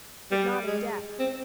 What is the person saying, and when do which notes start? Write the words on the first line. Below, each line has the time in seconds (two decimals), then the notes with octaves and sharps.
But not of death.
0.31 G3
0.67 G#3
1.19 C4